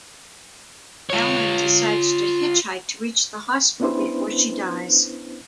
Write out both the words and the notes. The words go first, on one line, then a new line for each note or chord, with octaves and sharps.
Alan decides to hitchhike to reach the hospital before she dies.
F4 C#5
B3 C#4 D4 E4 B4 C5